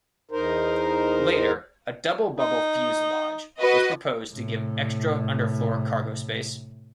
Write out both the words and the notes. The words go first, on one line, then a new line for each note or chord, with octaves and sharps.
Later a double-bubble fuselage was proposed to give extra underfloor cargo space.
E2 D#4 A#4 C5
D#4
F#4 B4 D#5
A2 C3